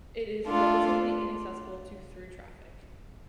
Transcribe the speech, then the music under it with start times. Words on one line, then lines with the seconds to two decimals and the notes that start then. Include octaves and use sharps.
It is relatively inaccessible to through traffic.
0.47 A3 D4 F4 A4